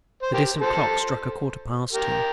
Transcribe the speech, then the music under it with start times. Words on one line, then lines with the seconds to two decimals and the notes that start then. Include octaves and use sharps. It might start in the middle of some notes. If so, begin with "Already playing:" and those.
The distant clock struck a quarter-past two.
0.23 C5
0.34 G4 A#4
0.60 A4 C5
1.93 G4 A#4